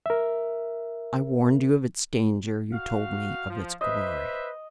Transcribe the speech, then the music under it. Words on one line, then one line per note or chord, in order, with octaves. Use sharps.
I warned you of its danger; you told me of its glory.
A#4 E5
F#4 F5
F3
B4 C5 D#5 E5